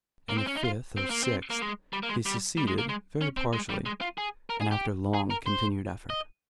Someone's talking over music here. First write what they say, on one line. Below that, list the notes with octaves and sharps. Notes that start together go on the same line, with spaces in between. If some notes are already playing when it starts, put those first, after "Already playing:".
In the fifth or sixth he succeeded very partially, and after long continued effort.
A#3
C4
C#4
D#4
F4
C4
A#3
C4
A#3
G#3
G3
A#3
G#3
G3
G3
G#3
A#3
G#3
C#4
C4
G#3
G3
G#3
F4
G#4
A#4
G#4
G4
G#4
A#4
C5
D#5